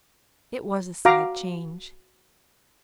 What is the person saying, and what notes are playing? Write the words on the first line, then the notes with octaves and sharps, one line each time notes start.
It was a sad change.
F#4 F5 A#5 D6